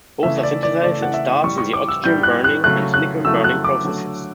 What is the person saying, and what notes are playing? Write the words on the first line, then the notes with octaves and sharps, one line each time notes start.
Both are synthesised in stars in the oxygen-burning and silicon-burning processes.
C#3 E3 A3 E5
D5
D5
C#3 E3 A3 D5
F#5
E5
A2 G3 C#6
C#6
D6
E6
A2 G3 G6
F#6
F#6
C#3 F#3 A3 F#6
F#6
C#3 F#3 A3 E6
F#6
D6
D3 F#3 A3